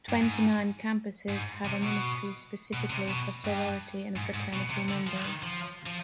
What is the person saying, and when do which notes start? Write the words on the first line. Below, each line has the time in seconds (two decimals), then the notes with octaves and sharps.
Twenty-nine campuses have a ministry specifically for sorority and fraternity members.
0.09 G2
0.20 G#2
1.29 G#2
1.65 C3
1.83 B2
2.73 B2
2.90 C3
3.08 B2
3.45 G2
4.16 G#2
4.34 G#2
4.53 B2
4.70 C3
4.89 D3
5.07 F3
5.25 D#3
5.43 F3
5.86 F3